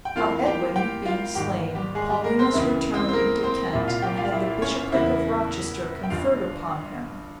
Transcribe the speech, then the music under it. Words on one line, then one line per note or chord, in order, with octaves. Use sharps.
How Edwin being slain, Paulinus returned into Kent, and had the bishopric of Rochester conferred upon him.
G5
F2 E3 A#3 F4 F5
G4 G5
G4 G5
F4 F5
G#1 G#2 G3 A#3 G4 G5
G3 G4
G#3 G#4
G3 G4
A#3 A#4
C4 C5
C#2 C#3 E3 A#3 E4 E5
C4 C5
C5
A#3 A#4
C4 C5
C2 A#2 G3 A#3 E4 E5
F4 F5
G4 G5
F4 F5
E4 E5
C#4 C#5
E2 C#3 G3 A#3 E4 E5
G5
G1 G2 G3 F4 F5